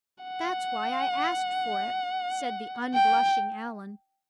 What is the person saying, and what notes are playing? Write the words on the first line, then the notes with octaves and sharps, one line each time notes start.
"That's why I asked for it," said the unblushing Allan.
F#5
G5